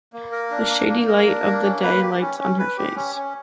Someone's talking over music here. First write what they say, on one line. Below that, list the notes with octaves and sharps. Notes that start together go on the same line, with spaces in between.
The shady light of the day lights on her face.
A#3
A#4
D4
A#3
A#3
A#4
D4
A#3
C#4
B4
G4
C#4
C#4
B4
G4
C#4
C#4